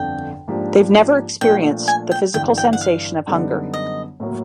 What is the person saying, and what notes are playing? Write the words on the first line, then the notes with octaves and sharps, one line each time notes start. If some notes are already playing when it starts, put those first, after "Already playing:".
They've never experienced the physical sensation of hunger.
Already playing: G1 F2 D3 G5
G#2 F3 A#3 D4 G4
A#2 F3 A3 D4 G5
G#5
G5
G1 G2 E3 G5
G5
F#5
F5
F#2 D3 G3 B3 D#4
D#5
A2 F#3 A#3